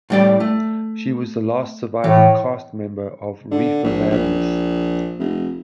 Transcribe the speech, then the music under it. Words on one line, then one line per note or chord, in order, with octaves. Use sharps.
She was the last surviving cast member of "Reefer Madness".
A2 G3 D5
A3
A2 E3
D3
A#1
A#1
F1